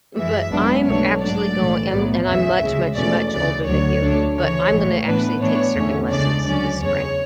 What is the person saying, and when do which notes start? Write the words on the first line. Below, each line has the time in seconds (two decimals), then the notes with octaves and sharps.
but I'm actually going- and and I'm much, much, much older than you- but I'm gonna actually take surfing lessons this spring.
0.17 F#2 E3 G#3 E5
0.51 G#1 G#2 F#3 B3 D4
0.87 B1 B2 F#3 A3 D4 C#5
1.21 G#2 F#3 A3 D4 D5
1.56 B1 A2 E3 A3
1.91 B1 A2 F#3 B3
2.27 E2 C#3 E3 E5
2.62 D2 C#3 G#3
2.96 E2 B2 A3 C#4 D5
3.32 D2 C#3 E3 D5
3.66 D2 D3 F#3 C#5
4.02 D2 D3 A3 D4
4.36 D2 C#3 E3 C#5
4.72 A1 A2 E3 G#3
5.06 A2 E3 B3 D4 B4
5.40 A2 E3 B3 D4 C#5
5.75 E2 D3 A3 C#4
6.10 C#2 C#3 G#3 D4 D5
6.45 D2 D3 F#3 C#4 D5
6.80 E2 C#3 G#3 C#5